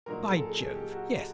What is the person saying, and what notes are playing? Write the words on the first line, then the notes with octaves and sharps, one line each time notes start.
By Jove! yes.
A#2 F#3 A#3 D#4 A#4
G#4
A4
G#4
G#4
G4
F#4